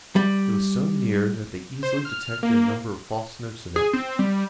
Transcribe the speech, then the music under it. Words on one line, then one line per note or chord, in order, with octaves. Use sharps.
It was so near that they easily detected a number of false notes in it.
G3
C5
F6
A#3
G#4
C4
G3